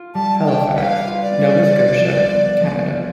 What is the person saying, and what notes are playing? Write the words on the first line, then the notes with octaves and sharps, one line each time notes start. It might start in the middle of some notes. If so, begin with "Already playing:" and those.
Halifax, Nova Scotia, Canada.
Already playing: F4
G3 A5
D4 G5
B4 G5
F5
F4
D5
G3
F4
F3
B3
F3
F4